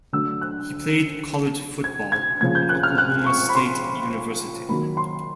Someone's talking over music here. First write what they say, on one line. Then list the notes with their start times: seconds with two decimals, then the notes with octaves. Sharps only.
He played college football at Oklahoma State University.
0.13 D3 F#3 A3 E6
0.41 F#6
1.84 G#6
2.12 G#6
2.41 C#3 F3 A#3 G#6
2.55 G6
2.69 F#6
2.83 F6
2.98 F#6
3.26 C#6
3.49 B5
3.55 C6
4.69 D#3 F#3 A#3 B5
4.97 C6